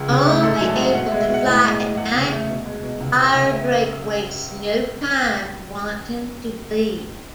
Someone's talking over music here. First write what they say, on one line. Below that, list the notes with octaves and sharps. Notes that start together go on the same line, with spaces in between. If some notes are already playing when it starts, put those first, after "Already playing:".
Only able to fly at night, Firedrake wastes no time wanting to leave.
Already playing: C#2 G#4
C#3
A3
G#2 A4
F#3 G#5
A5
G#2 F#5
B2 F#5
E5
G#3
E5
B2 F#5
A2 G#5
G#3
A2
E2 F#5
C#3
A3
B2
G#3
B2
C#2
C#3
C#2
E5